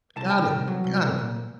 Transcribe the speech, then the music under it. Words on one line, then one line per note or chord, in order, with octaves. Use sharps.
Got it, got it.
C2 A5
C2 G5 A5
C2
F#3
C2
C2
A#2